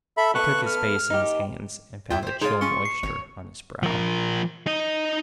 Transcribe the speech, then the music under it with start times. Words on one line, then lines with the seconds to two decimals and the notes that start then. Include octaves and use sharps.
He took his face in his hands and found a chill moisture on his brow.
0.17 A4 E5 B5
0.35 B3 A4 C#6 F#6
0.66 F6
1.11 D#4 G4
2.11 E2 E4 F4 G5
2.23 G4 C5
2.41 G#3 D#4 F4 C#5
2.61 C#4 C6 C#6
2.85 C7
3.03 G#1 C#5
3.83 F3 A#4
4.67 D#4 D#5